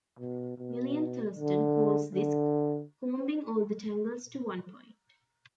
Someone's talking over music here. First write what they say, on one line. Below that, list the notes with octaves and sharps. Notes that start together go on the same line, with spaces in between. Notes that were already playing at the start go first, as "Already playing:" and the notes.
William Thurston calls this "combing all the tangles to one point".
B2
B2
D3
D3